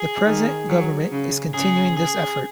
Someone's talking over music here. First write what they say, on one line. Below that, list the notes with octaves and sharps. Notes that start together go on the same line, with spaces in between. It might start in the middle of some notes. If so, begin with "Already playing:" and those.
The present government is continuing this effort.
Already playing: G#4
D#3
F#3
C#3
C#3 G#4
G#4